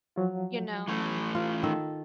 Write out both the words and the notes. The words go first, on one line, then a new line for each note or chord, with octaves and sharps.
you know,
F3 F#3 F4
E3 A3 C#4
F4
D#3 A4